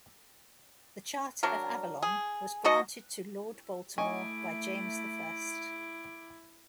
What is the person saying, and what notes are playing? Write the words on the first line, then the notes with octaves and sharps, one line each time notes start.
The Charter of Avalon was granted to Lord Baltimore by James the First.
F#3 D4 A#4
G#4
B2 D#4 F#4 D#5
A3 E4 D#5 G#5 C#6 D6